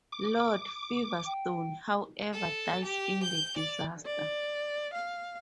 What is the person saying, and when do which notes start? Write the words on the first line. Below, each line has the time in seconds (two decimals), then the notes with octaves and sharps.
Lord Feverstone, however, dies in the disaster.
0.12 D6
1.26 G5
2.33 A4
2.83 G4
3.22 G6
3.56 D5
4.06 D5
4.94 F5